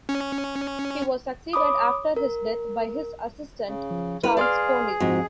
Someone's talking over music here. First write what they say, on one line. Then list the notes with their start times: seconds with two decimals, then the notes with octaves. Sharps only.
He was succeeded after his death by his assistant Charles Konig.
0.09 C#4
1.53 C#5 B5 D6 D#6
2.16 A#4
3.67 C#3
3.91 F3
4.23 D3 E4 B4 F6
4.37 G#4 D5 F5 C6 F6
5.00 G#2 F3 C4 F#4